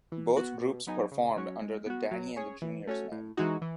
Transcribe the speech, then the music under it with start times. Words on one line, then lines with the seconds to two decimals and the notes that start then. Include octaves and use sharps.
Both groups performed under the "Danny and the Juniors" name.
0.12 E3
0.37 B3 F#4
0.61 B2
0.87 F#3 B3 D#4 G#4
1.11 C#3
1.36 F#3 C#4 F#4 C#5
1.62 G#3
1.86 B3 F#4
2.11 F#3
2.36 C#4 G#4 C#5
2.62 E3
2.87 A3 C#4 F#4 C#5
3.12 A2
3.37 E3 G#3 D#4 F#4
3.62 E3